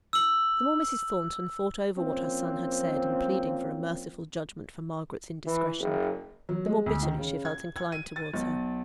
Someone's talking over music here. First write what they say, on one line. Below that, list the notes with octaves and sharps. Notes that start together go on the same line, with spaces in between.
The more Mrs. Thornton thought over what her son had said, in pleading for a merciful judgment for Margaret's indiscretion, the more bitterly she felt inclined towards her.
E6 F#7
F3 A#3 C4 C#4
E3
F#1
F#3
G#3
D2
D#3
C#3
G#6
G#6
D#7
A6
B1